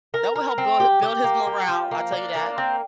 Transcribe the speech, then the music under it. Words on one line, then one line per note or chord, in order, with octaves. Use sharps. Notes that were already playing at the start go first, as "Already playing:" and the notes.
That will help build build his morale, I'll tell you that.
A#4
A#4
C4
G4
G4
A#3
G4
F3
A#3
D4
A#3
C4